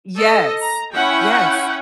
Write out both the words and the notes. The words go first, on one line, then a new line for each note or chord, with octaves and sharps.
Yes. Yes.
A4 D#5
A#5
C#4 E4 F#5 G5